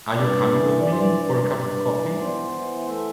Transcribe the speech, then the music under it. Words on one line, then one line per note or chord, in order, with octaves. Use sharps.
Are you coming with me for a cup of coffee ?
E5
G2 D5
E3
G2 D5
C5
D5
G2
G2
E3
B3 C5
E3
A3 E5